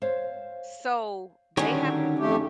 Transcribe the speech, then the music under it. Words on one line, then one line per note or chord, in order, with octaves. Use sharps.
so, they have to
C5 C#5 F5
D3 D#3 F#3 G3 C#4 D#4 G4 C#5
F2 A3 G4